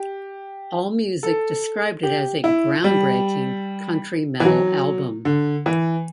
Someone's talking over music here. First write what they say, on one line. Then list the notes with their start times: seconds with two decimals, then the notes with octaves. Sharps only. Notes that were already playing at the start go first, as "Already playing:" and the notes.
AllMusic described it as a "groundbreaking" country metal album.
Already playing: G4
1.23 A4
2.03 G4
2.44 E4
2.84 G3
4.40 E3
4.45 F#3
5.25 D3
5.66 E3